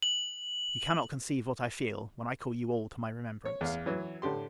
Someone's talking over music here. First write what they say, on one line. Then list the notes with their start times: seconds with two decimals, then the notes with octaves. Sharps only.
You cannot conceive what I feel, when I call you all to my remembrance.
0.03 F#7
3.45 C#5
3.61 E2 F5
3.86 E3 F#3
4.22 A2 D3 G4 C6